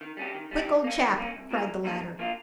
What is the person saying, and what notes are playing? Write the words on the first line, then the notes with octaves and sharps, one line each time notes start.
"Quick, old chap!" cried the latter.
D#3
G3 C#4 G4
D#3
G3 C#4 G4
D#3
A#3 C#4
D#3
A#3 C#4
C2
A#2 G3 A#3 D#4
C2
A#2 G3 A#3 D#4
G#2
F3 A#3 F4